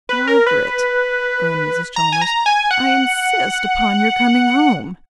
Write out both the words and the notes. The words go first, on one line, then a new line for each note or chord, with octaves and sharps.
"Margaret," groaned Mrs. Chalmers, "I insist upon your coming home."
B4
A#4
B4
A#5
G#5
A#5
G#5
F#5